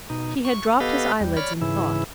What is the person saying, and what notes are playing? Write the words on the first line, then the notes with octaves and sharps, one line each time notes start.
He had dropped his eyelids in thought.
B2 D#4
C#6
B3 G4 A4 B4 D#5 F5
E2 G3
C#5 D5 B5 F6
G#2 C#3 E3 E4